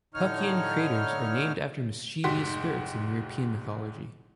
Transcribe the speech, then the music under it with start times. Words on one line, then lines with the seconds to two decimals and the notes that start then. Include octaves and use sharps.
Puckian craters are named after mischievous spirits in European mythology.
0.14 A2 D3 D#4 C#5 F6
2.24 F1 G#2 F#4 G4 C6 B6